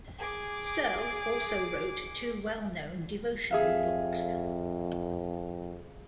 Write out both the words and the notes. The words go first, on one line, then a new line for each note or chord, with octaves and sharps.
Serle also wrote two well-known devotional books.
G#4 D6
F2 G#4 E5 F5